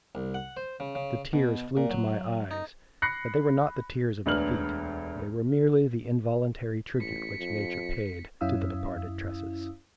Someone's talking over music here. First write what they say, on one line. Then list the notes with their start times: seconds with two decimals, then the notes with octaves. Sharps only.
The tears flew to my eyes, but they were not the tears of defeat; they were merely the involuntary tribute which nature paid to the departed tresses.
0.15 C2
0.34 F#5
0.57 C5
0.80 C#3
0.95 C#3
1.33 B2
1.77 A#2
1.90 F#3
2.51 D#4
3.02 B5 F#6 A#6 C7 C#7
4.26 E1 D2 D4 B4 F6 F#7
6.98 A1 B6 C#7
7.38 F2
8.41 F#2 C#4 E4 F5 D#6 E6